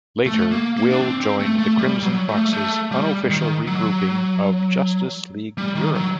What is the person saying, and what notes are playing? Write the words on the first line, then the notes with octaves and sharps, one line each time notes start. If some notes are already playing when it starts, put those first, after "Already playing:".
Later, Will joined the Crimson Fox's unofficial re-grouping of Justice League Europe.
A3
A#3
A#3
D4
C4
C4
A3
A3
G3
F#3
A3
G3
A3
G3
D#3
F#3
G3
D#3
F#3